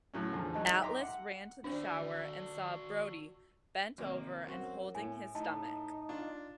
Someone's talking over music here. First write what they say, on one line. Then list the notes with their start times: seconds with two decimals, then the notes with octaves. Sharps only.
Atlas ran to the shower and saw Brody bent over and holding his stomach.
0.14 A2 F#3 C#4
0.33 E2 D3 F3
0.54 F#3 G#3 D#4 A5
0.82 E5 G5 A#5 C6 D6
1.02 F#5
1.64 D4 F#4 C5 D5
3.98 G#1 C3 A#3
4.47 F#2 C4 F#4
4.95 A2 G#5
5.35 A2 D#4 A5
6.09 D4 F4